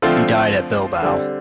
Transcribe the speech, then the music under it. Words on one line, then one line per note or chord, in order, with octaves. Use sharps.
He died at Bilbao.
D3 F3 A3 C4 F4
D3 G3 C4